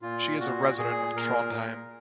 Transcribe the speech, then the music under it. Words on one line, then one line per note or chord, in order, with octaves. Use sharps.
She is a resident of Trondheim.
A#2 F4
A#2 F#4
A#2 G#4
A#2 A#4